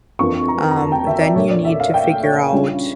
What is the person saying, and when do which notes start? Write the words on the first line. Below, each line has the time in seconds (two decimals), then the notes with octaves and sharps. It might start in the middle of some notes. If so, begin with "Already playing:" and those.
um, then you need to figure out
0.19 F2 E3 A#3 D4 F4 C#6
0.48 A#5
0.71 A#5
0.77 A5
0.92 G5
1.07 E5
1.21 D5
1.36 A#2 A3 D4 C#5
1.50 D5
1.65 E5
1.80 F5
1.94 G5
2.23 C#5
2.52 C#3 G3 D4 F4